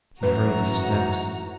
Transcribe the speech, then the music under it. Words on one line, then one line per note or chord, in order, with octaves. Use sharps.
He hurried his steps.
F#2 A2 E3 F#4 B4 A#5